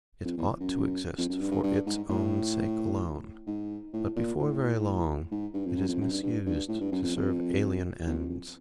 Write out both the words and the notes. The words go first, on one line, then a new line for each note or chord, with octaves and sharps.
It ought to exist for its own sake alone, but before very long it is misused to serve alien ends.
F2
E2
F#2
F2
F#2
G2
G2
G2
G#2
A2
G#2
A2
A#2
A2
G#2
G2
F2
F#2
F2
F#2
G2
G2
G2
A2
G2
F#2
F2
F2
E2
F2
F2